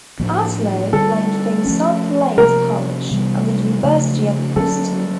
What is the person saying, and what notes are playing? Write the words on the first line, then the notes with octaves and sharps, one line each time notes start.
Outlaw played for South Plains College and the University of Houston.
A2 F3 A#3
D3 G3 C4 A4
F3 A3 C#4
C3 F3 A#3 C#4 A#4
C3 E3 G3 B3
C#3 F3 A3 D4
D3 F#3 A#3 C#4 A4